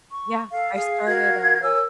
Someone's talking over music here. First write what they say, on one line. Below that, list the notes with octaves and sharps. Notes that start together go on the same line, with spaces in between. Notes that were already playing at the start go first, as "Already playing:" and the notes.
Yeah, I started, um,
C#6
A4 F5
G#4 F5
F#4 A#4 F5 G#6
A#4 C#5 G#5 E6